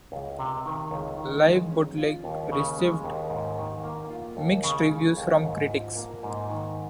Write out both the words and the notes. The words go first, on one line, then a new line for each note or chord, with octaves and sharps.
"Live Bootleg" received mixed reviews from critics.
C#2
C3
D#3
C#2
D#3
G#3
C#4
F4
D#2
C#3
G#3
D#2
G#2
D#3
A#3
F4
D#2
C#3
G#3
D#2
G#2
F3
A#3
G#2
D#3